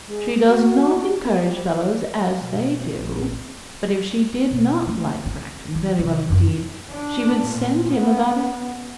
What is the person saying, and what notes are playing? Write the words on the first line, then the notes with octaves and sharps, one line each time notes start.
She does not encourage fellows as they do; but if she did not like Bracton very well indeed, she would send him about his business.
G#3
F#4
A#3
G3
B2
A#1
B2
A3 A#3
C4
E3
C3 F#3
F#2 C4
D4
A#2
B3